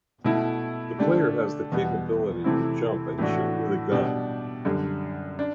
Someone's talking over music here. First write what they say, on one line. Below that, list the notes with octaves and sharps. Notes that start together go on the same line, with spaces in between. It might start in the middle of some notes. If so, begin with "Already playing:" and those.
The player has the capability to jump and shoot with a gun.
B2 A3 E4
D3 A3 D4 G4
E2 B2 G3 B3
C3 E3 A3 C4 E4
A2 E3 A3 D4 F#4
B2 G3 D4 G4
F#2 D3 G3
D4